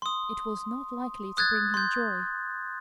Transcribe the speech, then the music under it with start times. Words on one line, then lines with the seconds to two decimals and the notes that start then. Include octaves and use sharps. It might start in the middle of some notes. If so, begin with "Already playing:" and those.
It was not likely to bring him joy.
0.02 C6 D#6
1.37 D#6 F#6 G#6 A6
1.74 C6 G6